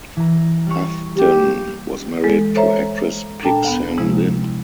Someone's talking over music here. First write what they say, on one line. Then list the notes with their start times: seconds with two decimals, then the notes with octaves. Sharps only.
Houghton was married to actress Pik-Sen Lim.
0.16 E3 A#5
0.67 G3 C#6
1.16 A#3 G4
2.24 E3 G#3 A4
2.55 A4 C5 C#5 E5 A#5
3.42 A#2 D4 A4 G5 A5 A#5
3.65 D2 B3
3.98 C3 F3 G#3 E4